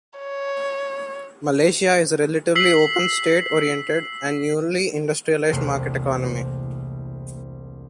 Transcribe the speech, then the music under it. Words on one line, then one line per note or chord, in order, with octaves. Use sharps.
Malaysia is a relatively open state-oriented and newly industrialised market economy.
C#5
E6 B6 C7 F#7
E1 C2 C3 A3 A#3 C7